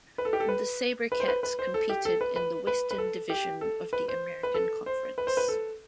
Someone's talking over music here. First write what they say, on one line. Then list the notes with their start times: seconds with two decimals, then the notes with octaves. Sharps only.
The SaberCats competed in the Western Division of the American Conference.
0.18 B4
0.25 A4
0.33 G4
0.40 A4
0.49 B4
1.12 B4
1.20 C5
1.28 B4
1.43 B4
1.59 C5
1.74 A4
1.90 G4
2.05 A4
2.21 B4
2.36 B4
2.67 B4
2.91 B4
2.98 A4
3.30 G4
3.61 A4
3.93 B4
4.08 C5
4.43 B4
4.54 A4
4.86 C5
5.18 B4
5.27 C5
5.37 B4
5.48 A4